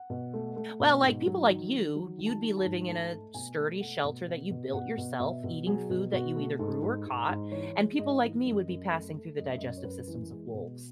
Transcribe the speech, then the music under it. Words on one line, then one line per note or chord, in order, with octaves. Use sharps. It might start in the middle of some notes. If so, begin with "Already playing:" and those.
Well, like, people like you, you'd be living in a sturdy shelter that you built yourself, eating food that you either grew or caught, and people like me would be passing through the digestive systems of wolves.
Already playing: F#5
B2
A3
A3
B2
G#2
F#3
D#3
D#3
F#3
D#3
A5
D#3
A5
G#2
A3 A5
A3
B2 G#5
A3
A3 F#5
B2
B2
B2
B2 F#5
B2
B2 E5
B2
F#3 G#4
B2
B2 F#4
A3
G#2 A4
G#2
G#2
G#2
E3 C#5
G#3
G#2 D#5
E3
F#2
F#2
A3
A3
F#2 D#5
E5
F#2 D#5
C#5
F#2 B4
E3
G#3 G#4
B2